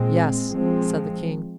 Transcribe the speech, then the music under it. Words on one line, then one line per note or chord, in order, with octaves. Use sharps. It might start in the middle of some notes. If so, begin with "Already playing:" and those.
"Yes," said the King.
Already playing: A#2 G#3 C4
F3 G#3 C4